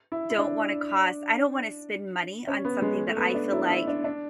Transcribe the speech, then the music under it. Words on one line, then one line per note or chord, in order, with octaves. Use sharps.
don't want to cost I don't want to spend money on something that I feel like
E4
E4
D4
C#4
B3
G#3
A3
B3
D4
E4
E4
D4
D4